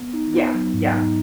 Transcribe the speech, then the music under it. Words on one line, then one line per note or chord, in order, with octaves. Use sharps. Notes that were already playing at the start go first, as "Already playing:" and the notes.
Yeah, yeah.
Already playing: B3
D#4
B3
F#3
G#2
D#4